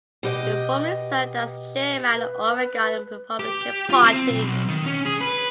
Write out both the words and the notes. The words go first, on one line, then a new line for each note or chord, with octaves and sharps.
He formerly served as Chairman of the Oregon Republican Party.
B2 G4 D#5
B4
G4
F4
C4
B1
D#3
C#4
G#4
B4